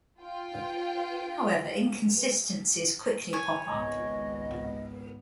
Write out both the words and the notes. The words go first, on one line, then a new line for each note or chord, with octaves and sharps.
However, inconsistencies quickly pop up.
F4 G5
C#5 G#5
G#1 C#2 B3 D#5